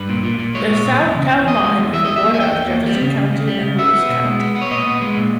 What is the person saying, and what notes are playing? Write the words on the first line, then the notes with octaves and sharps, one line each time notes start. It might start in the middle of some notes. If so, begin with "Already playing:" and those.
The south town line is the border of Jefferson County and Lewis County.
Already playing: G2 B4
A#2
A#2
A#2
G#3 C#5
A#2
A#2
E2
C#3
E2
E2 D#5
G#3
E2
E3 E5
E2 D#5
E5
A#3
G#5
E2 G5
E2
A#3
G3
C#3
C#3
C#3
G3
C#3
B3 E5
B3
B2
G#3
B3
B3
C#5
A#2 D#5
B3
G#3
A#2